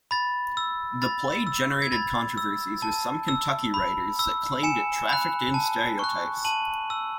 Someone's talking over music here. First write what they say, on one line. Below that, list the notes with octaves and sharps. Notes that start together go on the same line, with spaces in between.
The play generated controversy with some Kentucky writers that claimed it trafficked in stereotypes.
B5 A6
E6
B5 A6
E6
G#6
B5 A6
E6
A5
E6
B5
E6
G#5 C#7 E7
B5 F#6
A5
C#6 F#6
A5 D#7 F#7
E6